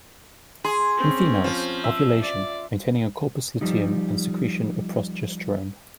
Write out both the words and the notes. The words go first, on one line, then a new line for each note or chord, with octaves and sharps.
In females: ovulation, maintaining of corpus luteum and secretion of progesterone.
G#4 C6
C4 C#4
F3
E5
D5
F3 G3 D#4